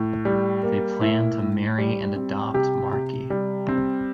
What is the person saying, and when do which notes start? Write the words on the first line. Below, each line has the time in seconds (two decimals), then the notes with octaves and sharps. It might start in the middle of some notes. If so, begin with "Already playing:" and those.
They plan to marry and adopt Marky.
Already playing: A2
0.25 G3
0.63 A#3
1.01 A2 E4
1.39 A2
1.78 G3
2.16 C4
2.54 C3 G4
2.93 C3
3.30 G3
3.69 C4